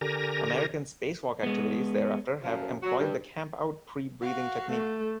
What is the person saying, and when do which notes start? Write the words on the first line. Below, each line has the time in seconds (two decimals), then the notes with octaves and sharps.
American spacewalk activities thereafter have employed the "camp-out" pre-breathing technique.
0.01 D3 G4 A#4 G#5 A#5 A#6
1.43 G#3 B3
2.43 F#2 F3
2.82 F#3 F#4
2.98 G2
4.22 F#4 F5
4.67 A3